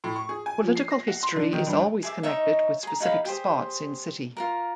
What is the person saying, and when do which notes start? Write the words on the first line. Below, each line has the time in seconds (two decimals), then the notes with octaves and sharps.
Political history is always connected with specific spots in city.
0.04 A2
0.16 C#6
0.29 G#4
0.46 G#5
0.63 F3
0.76 C7
0.91 A#6
1.08 F#5
1.23 C6
1.36 D3
1.53 D#3
1.67 G2
2.03 G#4 E5 D6
2.23 D#4 C#5 D#5 E5
2.83 G#4 A#5
3.00 D#4 G#4 F5 B5
3.25 G4 G#4 C5
4.37 F4 F#4 A#4